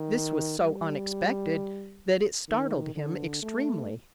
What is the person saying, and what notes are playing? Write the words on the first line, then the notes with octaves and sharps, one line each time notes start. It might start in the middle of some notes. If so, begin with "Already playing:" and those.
This was so unexpected that it startled him extremely.
Already playing: D#3
G3
D#3
D3
A3